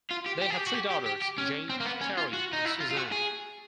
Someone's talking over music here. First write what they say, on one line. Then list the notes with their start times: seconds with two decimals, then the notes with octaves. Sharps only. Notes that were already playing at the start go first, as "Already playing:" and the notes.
They had three daughters: Jane, Terry and Susan.
0.11 F4
0.26 G4
0.42 G4
0.50 G#4
0.57 G4
0.67 F#4
0.74 G4
0.90 G4
1.06 G4
1.22 G4
1.38 C#4
1.70 C4
1.80 A#3
1.86 B3
2.01 C#4
2.17 F4
2.33 F#4
2.53 D#4
2.65 E4
2.80 F4
2.91 F4
2.97 F#4
3.12 G#4